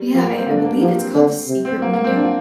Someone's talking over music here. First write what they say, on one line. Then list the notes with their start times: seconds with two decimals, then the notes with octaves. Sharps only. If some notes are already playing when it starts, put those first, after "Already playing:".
Yeah, I I believe it's called The Secret Window.
Already playing: G3
0.15 F3 A#3
0.26 A#3
0.37 C4
0.48 D3 F4
0.57 D4
0.64 A#3
0.73 G3
0.81 F3 A#3
0.98 C4
1.15 D3
1.48 C3
1.65 C4
1.82 A#3
1.93 A#3
2.04 C4
2.16 D4
2.24 F4